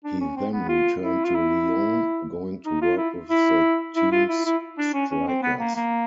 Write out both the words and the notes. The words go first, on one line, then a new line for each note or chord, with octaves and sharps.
He then returned to Lyon, going on work with the team's strikers.
D4
C#4
C4
B3
F4
E4
F4
E4
D#4
F4
E4
E4
E4
F4
E4
E4
D4
C#4
C#4
C4
B3
A#3
A#3